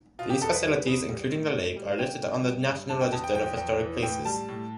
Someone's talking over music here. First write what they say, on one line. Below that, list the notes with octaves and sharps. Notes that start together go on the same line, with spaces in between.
These facilities, including the lake, are listed on the National Register of Historic Places.
B2 F4
G4
E2 A4
B4
G3
E2
G3
A2
A2
G3
F5
D3 G5
G2
G3
G2
D3 A5
G5
E2 A5
G5
F3 G5
E2 G5
E3
A2 G5
G3 A5
A2